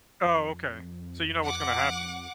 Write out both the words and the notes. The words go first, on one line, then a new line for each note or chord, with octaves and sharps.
Oh, okay. So you know what's gonna happen?
F2
F#5 D6